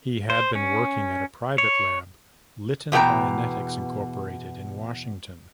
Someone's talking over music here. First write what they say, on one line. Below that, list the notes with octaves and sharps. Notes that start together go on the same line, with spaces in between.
He had been working at a private lab, Litton Bionetics Incorporated in Washington.
C5
C#4
C#5
E2 B2 A#3 G5 A#5